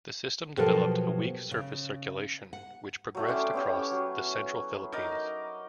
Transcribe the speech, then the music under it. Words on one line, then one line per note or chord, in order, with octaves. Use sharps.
The system developed a weak surface circulation which progressed across the central Philippines.
B2 F3 F#3 G4 A4 A#4
C#3
F#5
F#3 A3 G5
C#4 E4 C5 D5
B3 C#4 G4
F#3
D#4 A#4 D#5 D6